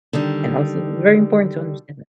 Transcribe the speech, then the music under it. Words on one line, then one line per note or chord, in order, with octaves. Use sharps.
and honestly, it's very important to understand that,
D3 D#3 G3